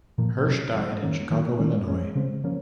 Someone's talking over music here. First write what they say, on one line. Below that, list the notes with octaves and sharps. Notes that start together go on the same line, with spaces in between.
Hirsch died in Chicago, Illinois.
A#2 F3 A#3
C3 F#3 C#4
F3 G#3 C4
D#3 A#3 C#4
D#3 F#3 A#3
D#3 G#3 C#4
F3 G#3 C#4
C#3 G#3 C4
F3 A#3 C#4